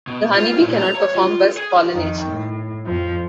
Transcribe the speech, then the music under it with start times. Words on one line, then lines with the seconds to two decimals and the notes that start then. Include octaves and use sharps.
The honeybee cannot perform buzz pollination.
0.07 B2
0.35 F4
0.62 A#2
0.79 A#5
0.95 C#5
1.15 F4
1.57 G#4
1.94 F2 D#3
2.28 A2
2.86 F2 F3